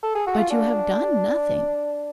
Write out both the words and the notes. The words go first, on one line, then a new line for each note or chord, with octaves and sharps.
'But you have done nothing.'
A4
G#4
F#4
F4
D4